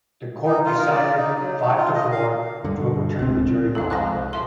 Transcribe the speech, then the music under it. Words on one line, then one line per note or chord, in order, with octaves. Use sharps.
The Court decided five-to-four to overturn the jury verdict.
D#4
F4
A#4
D5
D#4
F#3
D#4
F4
D#5
F5
G2 D3
D1 C#2 C4
B1 F2 A4 F5
C2 G#2 F3 F#6 A#6
B1 F3 E5 C6